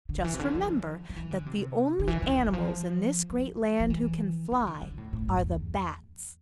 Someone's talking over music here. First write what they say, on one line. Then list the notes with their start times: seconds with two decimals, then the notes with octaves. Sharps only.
Just remember that the only animals in this great land who can fly are the Bats.
0.09 D3
0.24 E3
0.34 C3
0.39 D3
0.55 F3
1.10 F3
1.16 E3
1.31 D3
1.46 C3
1.99 D3
2.07 E3
2.22 E3
2.38 E3
2.53 F3
3.30 F3
3.80 F3
3.90 E3
4.52 E3
4.67 D3
4.82 D3
4.98 A2
5.13 A2
5.28 G2
5.44 E2